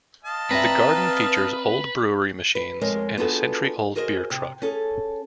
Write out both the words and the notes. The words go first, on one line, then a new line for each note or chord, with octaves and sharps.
The Garden features old brewery machines and a century-old beer truck.
D#5 F5 A5
C4 B4 D5 E5 A#5
B4
F2 G#3 A#4 C#5 D#5
B3 D4 F4 F#4 G#4 A4
F#4 G#4 A#4 C5 C#5 D#5
C3
C#4 G#4 A4